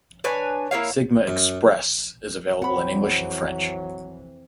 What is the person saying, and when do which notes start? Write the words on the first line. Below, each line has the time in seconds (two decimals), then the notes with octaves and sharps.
Sigma "express" is available in English and French.
0.24 D4 B4 C#5 G#5
0.71 A#3 E4 C#5 F5
1.28 F#2
2.62 F2 E3 F#3 C4 F#5 B5